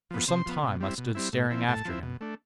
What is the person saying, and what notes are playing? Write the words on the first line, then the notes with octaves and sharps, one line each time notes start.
For some time I stood staring after him.
F3 B3
C3 C6
F3 B3
B2
G3 C4 E4
B2
G3 C4 E4
A2
F3 C4 E4
A2 A5
F3 C4 E4
B2
A3 D4